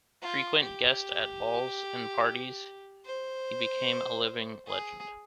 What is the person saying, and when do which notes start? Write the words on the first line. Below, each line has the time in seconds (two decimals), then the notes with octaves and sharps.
Frequent guest at balls and parties, he became a living legend.
0.22 F4
0.62 G4
3.06 C5
4.66 G#4